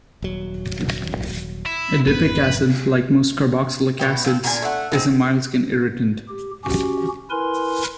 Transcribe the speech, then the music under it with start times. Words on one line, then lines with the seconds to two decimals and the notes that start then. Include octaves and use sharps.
Adipic acid, like most carboxylic acids, is a mild skin irritant.
0.22 D#1 F#3
1.66 E4
2.07 G#1 F2 B3 B4
4.00 B2 B3 G5
4.25 F3 C4
4.44 A#2 D3 A#4 G#5
4.62 A3 F#5
4.92 G#3 A#3 C4
6.29 G4
6.65 C#4 F#4 G4
7.30 E4 A#4 B4 G#5 C6